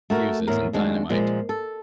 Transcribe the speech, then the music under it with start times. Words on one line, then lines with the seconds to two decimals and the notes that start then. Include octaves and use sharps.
Fuses and dynamite.
0.10 A3 F#4 A#4
0.47 E2 A2 A#4
0.73 D#2 G#3 D4 F#4
1.10 A#2 F3 G#3
1.49 A4